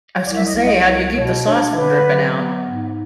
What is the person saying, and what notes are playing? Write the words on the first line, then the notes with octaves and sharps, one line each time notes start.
I was gonna say, how do you keep the sauce from dripping out?
C#5
C2 D5
E5
D#5
C2
D#5
C2 C#5
B2 C#5
D4 C#5
C5
C#5
D3 B4
F#3
B3
G#2